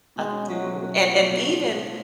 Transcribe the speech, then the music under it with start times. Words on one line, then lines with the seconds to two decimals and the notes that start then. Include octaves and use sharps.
I do. And and even
0.16 B2 G#3
0.32 C#4
0.48 F#3 A3
0.65 B2
0.81 B2 F#3
0.97 F4
1.14 A3
1.29 B2
1.46 F3
1.63 A2
1.78 F3